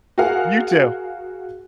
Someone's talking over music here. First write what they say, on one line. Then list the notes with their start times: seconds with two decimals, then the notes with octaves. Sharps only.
You too.
0.18 F#4 G#4 A#4 F5 F#5